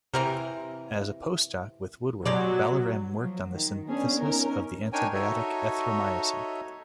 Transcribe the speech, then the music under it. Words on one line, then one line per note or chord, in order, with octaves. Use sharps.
As a postdoc with Woodword, Balaram worked on the synthesis of the antibiotic erythromycin.
C3 E3 C4 A#4
B2 F#3 G#3 G4 D5
F3 F#3
D#3
B3 C#4 D4 G#4
C#4 D#4 A#4
D4 D#4 A#4 C#5 G5 G#5
D#4 F#4 A4 C#5 D#5 E5